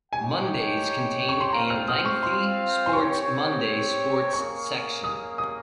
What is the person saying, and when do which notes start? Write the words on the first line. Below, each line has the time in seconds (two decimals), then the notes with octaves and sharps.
Mondays contain a lengthy "SportsMonday" Sports section.
0.12 D#4 G4 C#5 G5 G#5
1.29 C#6
1.40 C6
1.53 C4 F4 C5 F5 A#5
1.70 F6
1.88 D#6
2.05 C#6
2.23 C6
2.86 C6
2.93 C4 G4 C#5 C#6
4.33 A#3 C#4 G#4 C#6
5.04 D#6
5.38 D#6